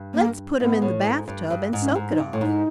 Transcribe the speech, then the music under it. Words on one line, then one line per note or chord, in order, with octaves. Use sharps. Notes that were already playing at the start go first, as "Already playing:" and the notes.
"Let's put him in the bath tub and soak it off."
Already playing: G2
A#3
G#2 B3
A2
G#2
G2
G2
G#2
C#4
G#2
D#4
G2
A2
G#2 D#4